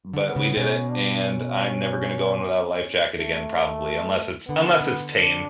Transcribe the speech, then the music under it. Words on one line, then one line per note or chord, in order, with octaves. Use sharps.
but we did it, and I'm never gonna go in without a life jacket again, probably, unless it's unless it's tame
D3
B3
C#3
B2 C#4
D4
C#4
A3
D3 B3
D3
D4